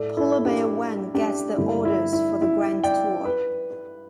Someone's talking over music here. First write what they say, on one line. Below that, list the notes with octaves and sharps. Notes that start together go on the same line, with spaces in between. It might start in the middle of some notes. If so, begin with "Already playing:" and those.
'Polar Bear One' gets the orders for the grand tour.
Already playing: A2 A3 A4 D5
E4 A4
D4 G4
D4 G4
G2 D3 A3 E4
E4
E4
E4
D5 G5
B4